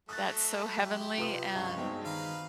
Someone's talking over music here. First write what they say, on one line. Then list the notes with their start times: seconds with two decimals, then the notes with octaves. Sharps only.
That's so heavenly and,
0.09 F#3 A3 D#6 F#6 A6
0.78 F#3 E4 G4
1.18 C3 F4 B4 D#6
1.55 C#2 G2 C#5
1.77 G#3 B3 C4 D#4 F#4 G#4
2.05 D#3 B4 F5 A#5 C6